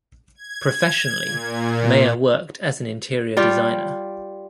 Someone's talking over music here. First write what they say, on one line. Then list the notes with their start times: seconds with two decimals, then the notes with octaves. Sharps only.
Professionally, Mayer worked as an interior designer.
0.35 G#6
1.25 A#2
3.37 G3 F4 G4